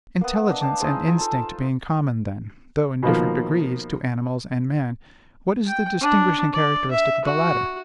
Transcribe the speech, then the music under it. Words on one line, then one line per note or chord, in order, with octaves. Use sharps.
Intelligence and instinct being common, then, though in different degrees, to animals and man, what is the distinguishing characteristic of the latter?
A#3 B3
D4 D5 D#5 D6
F5 G5 A5 D6
D#4 E4 G#4 C5
F4 G#5 A#5
A4 A5
B2 D#3 F3 A#3
G5
D4
D5
E5
F#4